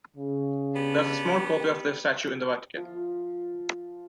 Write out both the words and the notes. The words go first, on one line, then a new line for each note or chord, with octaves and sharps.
There is a small copy of the statue in the Vatican.
C#3
B3 D4 G4
F3 F4 F5